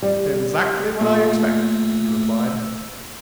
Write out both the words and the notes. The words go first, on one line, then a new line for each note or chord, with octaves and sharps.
"Exactly what I expected," he replied.
G3
A#2 A3 E6